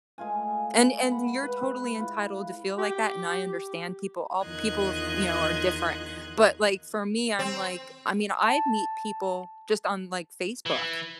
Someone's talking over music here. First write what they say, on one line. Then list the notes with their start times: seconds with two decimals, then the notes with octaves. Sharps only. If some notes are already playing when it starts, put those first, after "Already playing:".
and and you're totally entitled to feel like that, and I understand people op people, of you know, are different. But like for me, I'm like I mean I meet people just on like Facebook.
0.18 G#3 A3 F4 G#5
1.08 F#5 B5
1.43 B4
1.99 E4 F4
2.78 G4
4.45 E2 D#3 F4 D#5 F#6 G#6
7.39 C4
8.44 A5
10.66 E3